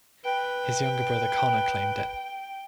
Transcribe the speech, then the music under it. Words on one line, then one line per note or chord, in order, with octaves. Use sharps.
His younger brother, Conor, claimed it.
B4 G5